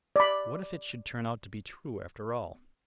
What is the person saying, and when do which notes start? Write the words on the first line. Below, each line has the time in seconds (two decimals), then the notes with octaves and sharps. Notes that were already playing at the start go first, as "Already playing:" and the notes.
What if it should turn out to be true after all!
0.16 D5 B5